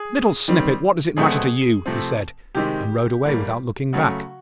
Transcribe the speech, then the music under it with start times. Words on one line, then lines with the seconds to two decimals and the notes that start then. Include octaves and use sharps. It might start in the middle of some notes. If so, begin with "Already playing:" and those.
'Little Snippet, what does it matter to you?' he said, and rode away without looking back.
Already playing: G#4
0.48 D#3 G3 C4
1.17 B2 F#3 A3 C4 G#4
1.86 C3 F3 A3 C4
2.55 C3 D#3 G#3 C4 G4
3.25 A2 E3 G3 A#3
3.93 C#3 F#3 A3 F#4